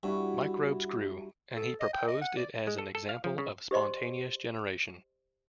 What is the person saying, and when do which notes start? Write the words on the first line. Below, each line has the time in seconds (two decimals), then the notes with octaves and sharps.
Microbes grew, and he proposed it as an example of spontaneous generation.
0.03 G2 E4 F#4
1.57 A4
1.80 D#5
1.93 G5
2.08 D#5
2.21 F#5
2.37 D5
2.67 G#3
2.78 A4
2.95 A4
3.09 F5
3.24 F3
3.38 C#3
3.71 G4 C5 D5 D#5 C6